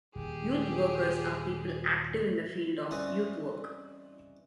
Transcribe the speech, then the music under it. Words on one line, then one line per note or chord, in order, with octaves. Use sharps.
Youth workers are people active in the field of youth work.
D#1 G4 G#4
E3 G3 C4 C#4 D#4